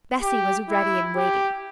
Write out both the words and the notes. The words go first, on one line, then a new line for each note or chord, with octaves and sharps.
Bessy was ready and waiting.
G4
E4
G4